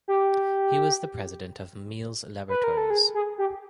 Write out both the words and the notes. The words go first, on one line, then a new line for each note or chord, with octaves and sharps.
He was the president of Miles Laboratories.
G4
B4
A#4
A4
G#4
G#4
G4